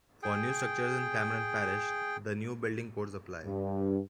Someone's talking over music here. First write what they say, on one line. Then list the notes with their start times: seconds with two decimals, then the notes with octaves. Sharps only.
For new structures in Cameron Parish, the new building codes apply.
0.23 G#4 G5
3.45 G2